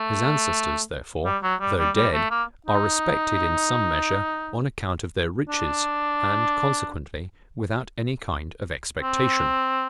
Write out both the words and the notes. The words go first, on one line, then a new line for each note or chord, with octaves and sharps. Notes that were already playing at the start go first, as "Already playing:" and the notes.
His ancestors, therefore, though dead, are respected, in some measure, on account of their riches; and consequently, without any kind of expectation.
Already playing: A3
G3
F#3
G3
G3
G3
A3
A#3
D#4
D4
C4